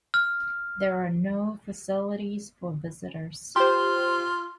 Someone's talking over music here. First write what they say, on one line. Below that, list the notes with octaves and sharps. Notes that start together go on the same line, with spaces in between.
There are no facilities for visitors.
F6
F4 G4 C5 C6